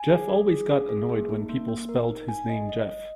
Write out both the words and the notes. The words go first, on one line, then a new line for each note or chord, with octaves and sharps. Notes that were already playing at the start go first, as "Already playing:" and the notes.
Geoff always got annoyed when people spelt his name Jeff.
Already playing: G#5
G#4
G#4
G#4
G#4
G#4
A#3
D#4
A#3
A#3
A#4
D#4
G#5
D#5
D#5
D#5